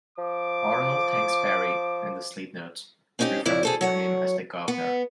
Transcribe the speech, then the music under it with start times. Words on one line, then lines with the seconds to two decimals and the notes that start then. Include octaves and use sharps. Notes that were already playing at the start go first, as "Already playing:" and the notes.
Arnold thanks Barry in the sleeve notes, referring to him as "the Guvnor".
0.18 F3 D6
3.19 C4 C#4 D#4 F#4 G4
3.46 F2 C#3 E4 D5
3.63 G#4 A4 C5
3.81 F#3 C#5 F#5
4.68 B3 F#5